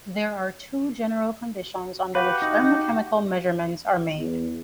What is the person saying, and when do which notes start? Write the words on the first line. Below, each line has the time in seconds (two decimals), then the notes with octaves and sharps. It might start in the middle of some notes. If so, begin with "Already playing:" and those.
There are two general conditions under which Thermochemical measurements are made.
2.15 F#4 G4 B4 F5
2.42 D#4
4.16 E2